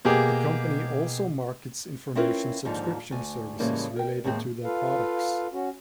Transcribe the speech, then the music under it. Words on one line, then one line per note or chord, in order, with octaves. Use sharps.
The company also markets information subscription services related to their products.
B2 A#3 G4 G#4
C4 C#4 E4 F4 A#4 B4
D#2 G#2 D3 F3 D#4
D2 G#5
A2 C#3 E3 G3 G#3 A#3
A#4 G5
D#2 A2 G#3 C4
F4 A4 B4 F5
C#4 F#4